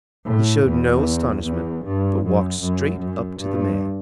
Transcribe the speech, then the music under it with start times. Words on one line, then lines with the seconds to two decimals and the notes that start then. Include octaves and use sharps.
He showed no astonishment, but walked straight up to the man.
0.28 A2
0.68 E2
1.46 E2
1.86 G2
2.25 F#2
2.64 F#2
3.03 F#2
3.42 G2